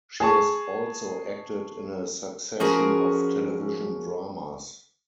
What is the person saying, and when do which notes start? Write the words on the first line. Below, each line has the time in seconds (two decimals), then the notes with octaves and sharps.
She has also acted in a succession of television dramas.
0.20 G#4 A5 C#6
2.60 F3 C#4 F#4 G#4 A#4